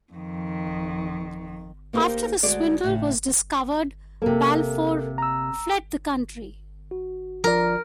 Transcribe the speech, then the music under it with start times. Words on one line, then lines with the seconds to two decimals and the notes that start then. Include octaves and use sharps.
After the swindle was discovered, Balfour fled the country.
0.13 F2 D#3
1.93 A#3 B3 D#4 G4 A#4 C5
2.43 D2 G#3 F#4 G#4 D5
2.84 A2 C#3
4.22 C3 A#3 A4 A#4
5.18 A#5 E6
6.91 F#4
7.44 F3 F4 A#4 D5